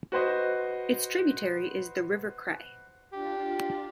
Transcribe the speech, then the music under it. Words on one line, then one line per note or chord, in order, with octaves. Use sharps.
Its tributary is the River Cray.
F#4 B4 C5 D#5
D4 F4 G4